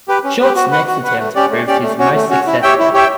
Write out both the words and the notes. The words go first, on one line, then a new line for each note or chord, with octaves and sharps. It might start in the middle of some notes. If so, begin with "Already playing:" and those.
Short's next attempt proved his most successful.
G4 B4
C#4
G4 B4
F#4
B4 F#5
F#4
B4 F#5
A3
C#4 G4 D5
A3
C#4 G4 D5
A3
C#4 F#4 C#5
A3
C#4 F#4 C#5
E4
G4 C#5 E5 G5
E4
G4 C#5 E5 G5